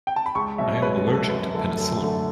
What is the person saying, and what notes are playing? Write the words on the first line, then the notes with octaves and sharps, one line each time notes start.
I am allergic to penicillin.
G5
A5
B5
C#2 C#6
B2 F#3 E5
C#5
C#2 B4
B2 F#3 A4
F#2 B4
D3 A3 A4
F#2 A4
D3 A3